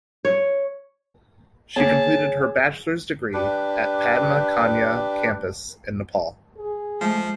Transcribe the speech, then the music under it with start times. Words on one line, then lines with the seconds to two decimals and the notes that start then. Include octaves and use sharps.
She completed her bachelor's degree at Padma Kanya Campus in Nepal.
0.25 C#5
1.76 A#3 B3 G#4 C#5 A5
3.33 D4 G4 B4
6.57 G#4
7.01 F3 G#3 A3